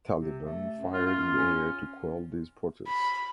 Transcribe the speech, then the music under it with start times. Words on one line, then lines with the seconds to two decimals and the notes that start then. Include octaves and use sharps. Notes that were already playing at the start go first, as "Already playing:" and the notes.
Taliban fired in the air to quell these protests.
0.20 C3
0.46 A3
0.78 F#2
0.94 F4
1.06 F4
1.37 C#4
2.87 B5